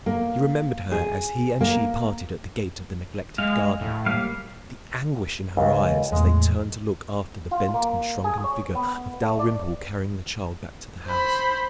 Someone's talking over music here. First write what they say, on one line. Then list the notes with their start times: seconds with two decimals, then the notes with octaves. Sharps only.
He remembered her as he and she parted at the gate of the neglected garden, the anguish in her eyes as they turned to look after the bent and shrunken figure of Dalrymple carrying the child back to the house.
0.06 A#3
0.92 G#4
1.61 A#3
3.38 G#3 F5
3.81 A2
4.06 G3 A#3 F5
5.57 C#2
6.12 E2 A2 G#3
7.51 F4
7.74 A#3
8.24 G#4
8.44 C#5
8.75 B3
9.22 A3
9.39 D5
11.07 C5 B5